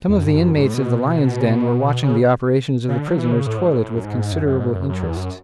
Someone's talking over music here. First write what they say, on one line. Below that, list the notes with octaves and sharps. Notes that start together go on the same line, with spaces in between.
Some of the inmates of the "Lions' Den" were watching the operations of the prisoner's toilet with considerable interest.
E2
F#2
G#2
F#2
F#2
G#2
A2
B2
C#3
B2
C#3
C#3
D3
F#3
E3
C#3
A2
G#2
A2
F#2
G#2
F#2
F#2
G#2
F#2
F#2
E2
F#2